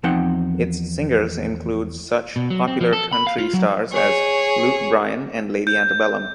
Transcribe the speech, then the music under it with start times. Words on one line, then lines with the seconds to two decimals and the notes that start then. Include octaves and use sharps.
Its singers include such popular country stars as Luke Bryan and Lady Antebellum.
0.03 E2 F3 C4 D#4 F#5 G5
2.36 B2
2.50 F#3
2.68 C4
2.81 F3
2.93 A4
3.13 B5
3.27 F5
3.38 F4
3.53 F#3
3.92 G#4 C#5
5.67 G6